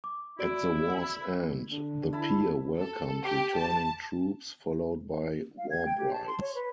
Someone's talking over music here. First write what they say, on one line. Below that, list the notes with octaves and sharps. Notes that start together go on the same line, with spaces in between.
At the war's end the Pier welcomed returning troops followed by war brides.
D6
E4 F#4 D5 D7
D3
E4 A5 B5
A4
G4
A5
F5
G#6
G5
G4
A5
C6
C#5
B4